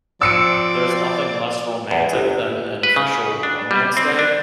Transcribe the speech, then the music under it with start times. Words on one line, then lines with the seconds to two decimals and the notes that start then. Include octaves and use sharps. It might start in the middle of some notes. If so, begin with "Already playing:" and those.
there's nothing less romantic than an official romance day.
0.22 F3 C4 D5 E6 C#7 D7
1.91 E2
2.13 G1
2.83 B4
2.96 C#3
3.43 D4
3.71 G3
3.97 C4
4.19 D4